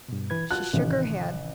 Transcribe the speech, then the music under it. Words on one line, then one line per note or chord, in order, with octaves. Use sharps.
She shook her head.
G2 B2
E3 B4 G#6
F4 F#4 A5 F#6
A1 C3 D#3